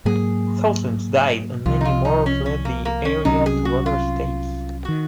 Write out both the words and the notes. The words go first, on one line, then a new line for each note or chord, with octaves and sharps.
Thousands died, and many more fled the area to other states.
G#2 F#3 A#3 G#4
C2 C3 F3 F4
D#4
F4
D#4
C#4
C#4
A#3
A#3
C#4
C2 C3 F#3 C#4 D#4
G#4
F#4
F4
D#3 F#4